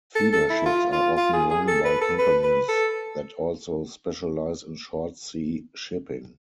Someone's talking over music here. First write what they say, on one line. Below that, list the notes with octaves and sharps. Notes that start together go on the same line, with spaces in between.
Feeder ships are often run by companies that also specialize in short sea shipping.
A4
A4
E4
F4
F4
F4
G#4
G#4
A4
B4
A4
B4
B4
A4